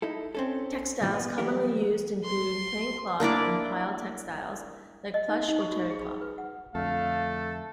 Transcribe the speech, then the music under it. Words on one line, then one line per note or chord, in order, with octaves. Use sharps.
Textiles commonly used include plain cloth and pile textiles like plush or terrycloth.
D#4 E4 A4
C4 C#4 A4
G2 A#2 D#3 E3 F#3
B3
E3 F#3 G3 E4 G4 A#4
C6
A#3 D4 E4 D5
D#5
D#4
D#4
C#6
F#4
G#4
B5
B4
F#5
F2 D3 A3 A4 F5